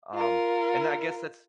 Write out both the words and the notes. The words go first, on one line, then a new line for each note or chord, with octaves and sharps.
Um, and then I guess that's
F4 A#4